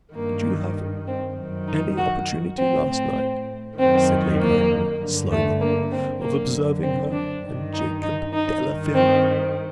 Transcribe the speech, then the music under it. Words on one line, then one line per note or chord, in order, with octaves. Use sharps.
"Did you have any opportunity last night," said Lady Henry, slowly, "of observing her and Jacob Delafield?"
G2 D#3 A#3
C4
F#2 D#3
D#4
F#4
A2 C4
C4
F#2 D#3 C4
A#3
G2 D3
A3
A#3
C4
F#2 D3 A#3
C4
D4
G2 D#3
D#4
D#4
D#4
G2 D#3
C4